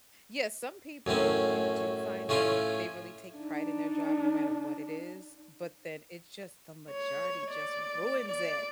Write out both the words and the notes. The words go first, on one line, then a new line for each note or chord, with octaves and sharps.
Yeah, some people, you do find them, they really take pride in their job no matter what it is, but then it's just the majority just ruins it,
F#2 A2 C4 C#4
A2 A3 C#4 F4
D4 D#4
C#5
D5
D5